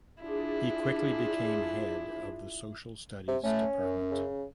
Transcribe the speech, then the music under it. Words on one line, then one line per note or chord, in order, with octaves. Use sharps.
He quickly became head of the social studies department.
D4 E4 F4 G#4
C3
A3 C#4
F#2
C#3